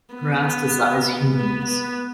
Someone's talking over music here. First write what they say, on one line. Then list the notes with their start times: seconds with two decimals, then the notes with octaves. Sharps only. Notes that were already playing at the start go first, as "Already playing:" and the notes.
They do not parasitise humans.
0.15 B3
1.34 B3
1.66 B3